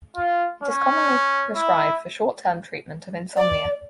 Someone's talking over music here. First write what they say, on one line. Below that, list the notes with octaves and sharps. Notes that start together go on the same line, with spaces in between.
It is commonly prescribed for short-term treatment of insomnia.
F4
C#4
E4
D5